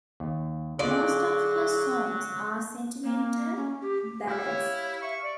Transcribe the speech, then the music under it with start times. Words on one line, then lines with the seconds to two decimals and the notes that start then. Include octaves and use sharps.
Most of her songs are sentimental ballads.
0.20 D#2
0.79 D3 F#3 F4 G#4 D5 D#5
3.04 A#3
3.56 C#4
3.81 G4
4.27 E4 G4 F5
4.45 C#5
5.02 E5 C#6
5.23 D5